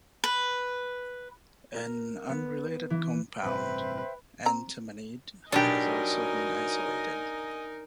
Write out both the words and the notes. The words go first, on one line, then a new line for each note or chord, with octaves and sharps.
An unrelated compound, antamanide, has also been isolated.
B4
A#4
B3
E3
A1 G2 C3 B4 C5 E5 G5
C4 A#5
B2 F#3 D4 D#4 G4 A#4 D#5 G#5